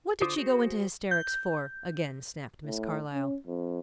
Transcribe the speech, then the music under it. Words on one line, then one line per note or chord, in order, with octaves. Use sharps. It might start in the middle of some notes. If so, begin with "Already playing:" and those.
"What did she go into hysterics for?" again snapped Miss Carlyle.
D3 F4 C5 D6 D#6
F#4 G#4 C5
G6
A2
C#4
F2